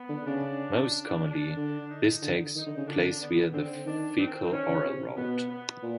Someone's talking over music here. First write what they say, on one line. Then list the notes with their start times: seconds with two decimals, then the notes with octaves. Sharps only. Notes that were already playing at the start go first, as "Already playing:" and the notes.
Most commonly, this takes place via the faecal-oral route.
Already playing: B3
0.09 D3
0.25 C#3 D4
1.24 D4
1.57 D3
1.90 D#4
2.22 D3
2.55 D#3 D#4
2.66 D3
2.77 C#3
2.87 D3 D4
3.21 B3
3.53 D3 C4
3.86 D#3 D4
4.19 C4
4.52 D#3 C#4
4.68 C#3
4.84 C3
5.17 B2 B3
5.49 B3
5.83 A#2